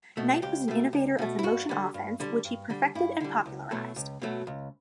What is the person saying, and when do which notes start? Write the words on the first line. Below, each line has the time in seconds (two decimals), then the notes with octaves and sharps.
Knight was an innovator of the motion offense, which he perfected and popularized.
0.17 B2 A3
0.42 C#2 G4
0.68 B2 A3
0.93 C#2
1.18 B2 A3
1.39 E4
1.43 G2 F#4
1.69 D3 G3
1.94 G2
2.20 D3 G3
2.45 G2
2.70 D3 G3
2.95 G2 E4
3.20 D3 G3
3.46 C#2
3.71 B2 F#3 A3
3.96 C#2
4.22 B2 F#3 A3
4.47 C#2